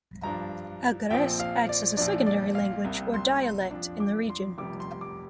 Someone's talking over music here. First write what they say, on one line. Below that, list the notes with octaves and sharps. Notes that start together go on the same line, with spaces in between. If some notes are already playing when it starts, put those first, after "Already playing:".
Algherese acts as a secondary language or dialect in the region.
G2 F3 D4 A#5
A#1 A#2 F3 C4 G5
F5
D5
A#1 A#2 F3 D4 D5
D5
F5
C2 C3 A#3
C6
C6
F2 F3 D4
D6
C6
F1 F2 C3 G3 D6
C6
D6